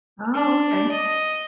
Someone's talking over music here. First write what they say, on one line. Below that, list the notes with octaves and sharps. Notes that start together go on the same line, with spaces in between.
Oh, okay.
D4
D#5